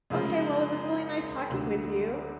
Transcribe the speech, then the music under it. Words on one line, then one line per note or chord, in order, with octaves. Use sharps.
Okay, well, it was really nice talking with you.
F#2 C#3 F3 G#3
D2 D3 F#3